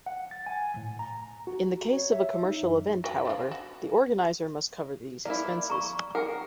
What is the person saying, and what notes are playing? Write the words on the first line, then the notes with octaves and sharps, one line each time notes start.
In the case of a commercial event however, the organizer must cover these expenses.
F#5
A6
G#5
A2
A#5
F#4
C#5
E5
D#4
F#2
F#4 B4 G5
F3 D4 E4
F#4
A#3 E4 D5
A#5 C#6
A#4 F#5 G5